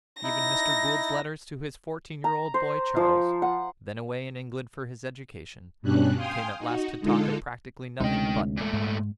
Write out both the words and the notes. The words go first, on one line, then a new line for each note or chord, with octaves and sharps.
Even Mr. Gould's letters to his fourteen-year-old boy Charles, then away in England for his education, came at last to talk of practically nothing but the mine.
D#4 E4 A#6
A#5
C5
F3
F#5
G2 B2 G3 C#4 D4 F#6
F5 G5 G#5 C6 D#6 F6
D#4 F#4
D3 G#3 D#4 F4 A4
D2 C3 G#3 C#4 D#4 G5
A#2 A3
G#2